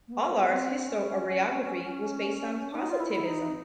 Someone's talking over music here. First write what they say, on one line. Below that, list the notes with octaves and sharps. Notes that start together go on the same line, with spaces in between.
Aulard's historiography was based on positivism.
A#3
B3
C4
C#4
D4
D#4
F4
E4
E4
D#4